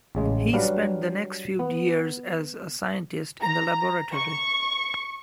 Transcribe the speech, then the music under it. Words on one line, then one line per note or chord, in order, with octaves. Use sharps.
He spent the next few years as a scientist in the laboratory.
A1 C#3 G#3
F#3 G3 D4 B4 F5
B3
A#5
C#6